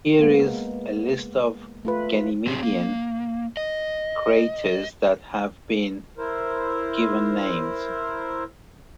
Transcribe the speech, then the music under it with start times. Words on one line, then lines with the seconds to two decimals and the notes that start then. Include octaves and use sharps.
Here is a list of Ganymedean craters that have been given names.
0.20 G#3 A#3 B3
1.85 A3 F4 B4
2.47 F#3 C4 G#4
2.63 A#3
3.57 D#5
6.18 E4 A#4 C5